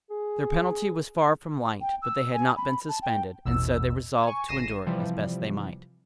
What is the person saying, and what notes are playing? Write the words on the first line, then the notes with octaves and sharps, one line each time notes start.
Their penalty was far from light, but they had not been suspended, and so they resolved to endure it as best they might.
G#4
G5
E6
G#5
B5
A5
G5
A1 E2 B2 E6
G#5 C#6
G#1 A#6 C7 D#7 E7
C3 E3 F3 G3